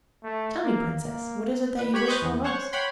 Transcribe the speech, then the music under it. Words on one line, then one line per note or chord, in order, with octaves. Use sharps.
Tell me, Princess, what is it that you wish for most?
A3
A#3
A#3
B4
G4 C#5 B5 C#6
B4 C5 D#5 C#6 G6
E2
C5 C#5 F#5 C#6
C#5 F#5 G5 B5 C6